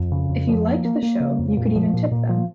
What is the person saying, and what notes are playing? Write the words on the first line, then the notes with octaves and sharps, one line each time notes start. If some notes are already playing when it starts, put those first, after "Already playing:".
If you liked the show, you could even tip them.
Already playing: F2
C#3
F2
F3
A#3
A#3
A#3
C#3
F2
A#2
F3
A#2
A#2
F3